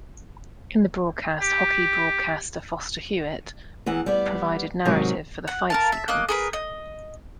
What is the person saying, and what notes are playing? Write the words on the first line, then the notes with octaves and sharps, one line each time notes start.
In the broadcast, hockey broadcaster Foster Hewitt provided narrative for the fight sequence.
G4
E2 E3 F#5
G3 B3 D5
G#2 C3 D#3 F#3
F#5
A#4 F5 A5
E5
A#3 D#5 F#6
G#4 A#4 B4
D#5